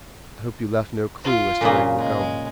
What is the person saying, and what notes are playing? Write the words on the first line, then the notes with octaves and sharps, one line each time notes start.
"I hope you left no clue as to where we were going."
F4
A#2 C#3 A#3
G#3